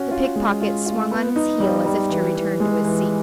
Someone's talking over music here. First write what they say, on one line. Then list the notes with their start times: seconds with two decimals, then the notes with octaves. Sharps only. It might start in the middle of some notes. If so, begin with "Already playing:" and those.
The pickpocket swung on his heel as if to return to his seat.
Already playing: C#4 F#4
0.11 F4
0.36 G#3
0.61 F4
0.86 F4
1.11 B3
1.36 D#4
1.60 G3
1.86 G3
2.10 E3
2.35 E3
2.60 G#3
2.85 E3